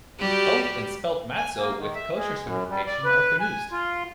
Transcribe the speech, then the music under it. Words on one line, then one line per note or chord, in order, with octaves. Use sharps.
Oat and spelt matzo with kosher certification are produced.
G3 F#4 G4
G#5
A#3
D#3
E5
G#3
F#2
G3
D5
B4
G#5
F4